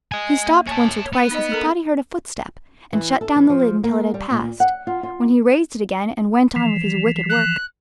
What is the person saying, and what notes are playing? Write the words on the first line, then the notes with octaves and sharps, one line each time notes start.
He stopped once or twice as he thought he heard a footstep, and shut down the lid until it had passed, when he raised it again and went on with his wicked work.
D#5 G#5
A#3 E5
C#5 G#5 A5
B3
D#4 D#5
A4 A#4 A#5
E3
A4
E3
F3
A#3
G3
A#2
F#5
F4
F4
E3 F3
F#6